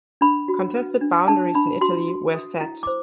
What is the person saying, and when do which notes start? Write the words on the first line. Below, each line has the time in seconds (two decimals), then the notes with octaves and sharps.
Contested boundaries in Italy were set.
0.21 D4 B5
0.48 F#4
0.75 B4
1.01 D4
1.28 D4 A5
1.55 D4 B5
1.81 F#4 C6
2.08 F#4
2.34 A4
2.61 E4
2.83 D6
2.87 C5